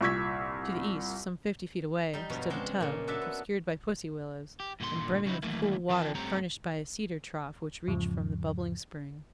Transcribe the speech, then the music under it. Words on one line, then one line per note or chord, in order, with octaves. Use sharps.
To the east, some fifty feet away, stood a tub, obscured by pussy willows, and brimming with cool water furnished by a cedar trough which reached from the bubbling spring.
C2 A#2 C#6 E6 G#6 B6
G3 D#4
G2 B2 F3 F#3
C#3 G#3 C4 D4
A#2 C#3
F#3 D4 A4 D#5 E5
B3
G4
G2 A#2 D3 F#4 C6
C#3 F#3 D#4 E4
D#3 E3 F#3 A3 A#3 E4
E3 F4 A#4 G5 A5
G2 A3 C4 G4 C#5 A#5
E2 G#2 C#3 F3